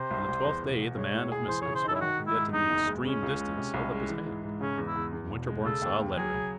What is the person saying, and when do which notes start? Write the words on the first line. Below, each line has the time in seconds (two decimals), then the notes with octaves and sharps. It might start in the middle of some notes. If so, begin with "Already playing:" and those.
On the twelfth day the man of missives, while yet in the extreme distance, held up his hand, and Winterborne saw a letter in it.
Already playing: C3 C5
0.11 C2
0.28 C2
0.44 E2
0.63 E1
0.79 E1
0.97 G#3 C#5
1.14 A2
1.32 G#4
1.48 E3 C5
1.62 C#3 C#5
1.75 C5
1.84 D#4 A4
1.95 E4
2.01 D#3 F#4
2.19 G#2
2.27 E4
2.35 G#2
2.53 E2 D#4
2.70 F#1
2.87 G#3
3.04 C#3 C#4
3.22 C#2
3.40 G#3
3.57 C3
3.74 C2
3.91 G#3
4.09 E3
4.26 G#2
4.44 G#2
4.61 C#3 C#4
4.78 E2
4.87 E4
4.96 E2
5.13 E2
5.30 E1
5.47 G#3
5.65 C#3 A4
5.82 D#2
6.00 D#2
6.17 F#3 G#4
6.34 C#3